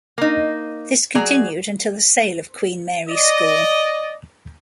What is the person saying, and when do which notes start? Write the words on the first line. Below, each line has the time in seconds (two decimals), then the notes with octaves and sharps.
This continued until the sale of Queen Mary School.
0.18 A#3 D#4
1.15 F#3 G#4 D5 A#5
3.09 D5 D#5